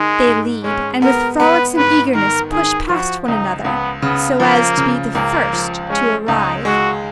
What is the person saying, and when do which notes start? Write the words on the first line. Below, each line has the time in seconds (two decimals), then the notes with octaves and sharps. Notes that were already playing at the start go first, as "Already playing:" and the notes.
They lead, and with frolicsome eagerness push past one another, so as to be the first to arrive.
Already playing: D#3 G#3
0.27 G#2
0.64 G#3 C#4
1.02 B3 A#4
1.40 B3 B4
1.77 G#2 B4
2.15 D#3 A#4
2.52 D#3 G#4
2.90 F3 F#4
3.28 C#2 D#4
3.65 C#2 B3
4.02 C#3 B3
4.40 F3 A#3
4.77 C#3
5.15 C#2 A#3
5.53 F3
5.90 G#3 C#4
6.28 C#2 D#4
6.65 G#3 F#4